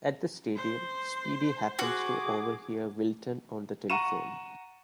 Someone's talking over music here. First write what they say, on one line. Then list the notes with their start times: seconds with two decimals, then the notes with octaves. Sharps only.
At the stadium, Speedy happens to overhear Wilton on the telephone.
0.56 C5
1.79 F#4 G#4 D6
3.90 F#5 A#5 C#6 C#7 D#7 E7